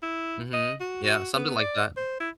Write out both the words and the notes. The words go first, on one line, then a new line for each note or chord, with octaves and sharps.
Mhm, yeah, something like that.
E4
D#5
F#4
F#4
B3
D5
C5
E4